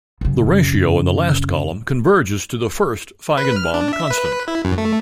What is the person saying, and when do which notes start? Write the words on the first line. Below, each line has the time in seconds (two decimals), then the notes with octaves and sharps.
The ratio in the last column converges to the first Feigenbaum constant.
0.21 F#2 C#3
3.38 B4
3.56 F6
3.74 D4
3.93 E5
4.10 B4
4.48 E4
4.65 F#2
4.78 A3